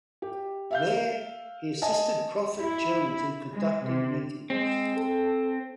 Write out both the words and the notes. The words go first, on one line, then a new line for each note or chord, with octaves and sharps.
There he assisted Prophet Jones in conducting meetings.
G4
E5 F5 G6
D#5 G#5 A5
E4
G#3
C3
G#3 C4
A4